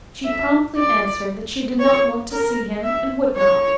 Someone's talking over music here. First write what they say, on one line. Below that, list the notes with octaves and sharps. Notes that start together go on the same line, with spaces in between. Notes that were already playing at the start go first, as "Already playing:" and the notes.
She promptly answered that she did not want to see him and would not.
E5
D5
C#5
A#4
E5
C#5